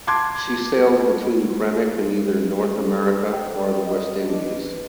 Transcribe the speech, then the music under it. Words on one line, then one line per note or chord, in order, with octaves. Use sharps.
She sailed between Greenock and either North America or the West Indies.
A5 C6 D6 G#6
A4
G5
D5
D#5
D4
B4